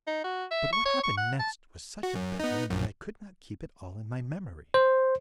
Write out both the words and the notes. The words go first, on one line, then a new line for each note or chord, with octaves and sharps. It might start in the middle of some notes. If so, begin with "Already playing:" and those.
But what happened next was such a Bedlam that I could not keep it all in my memory.
D#4
F#4
E5
C#6
C#5
C#6
F#5
A5
F#4
F#2
B3 D#4
A#1 F#2
C5